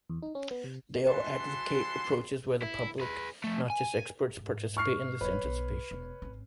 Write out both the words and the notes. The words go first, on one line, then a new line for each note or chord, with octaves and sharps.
They all advocate approaches where the public, not just experts, participate in this "anticipation".
E2
D#4
C#4
B3
C3
E3 F#3 F#5 A5 C6
E4
G#4 B4
F3 A3
G#5
G#2
C#6 F6 C7
E1 F#3 B4 C#5
B1
E1
G#1 C#4